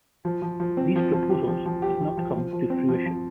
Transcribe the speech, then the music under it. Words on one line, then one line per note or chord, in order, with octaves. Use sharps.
These proposals did not come to fruition.
F3
F3
F3
C4
F3
F3
G4
F3
F3
G4
F3
F3
F3
F3
C4
F3
F3